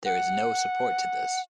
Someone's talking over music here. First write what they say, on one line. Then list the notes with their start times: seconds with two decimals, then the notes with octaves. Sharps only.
There is no to support this.
0.05 F#5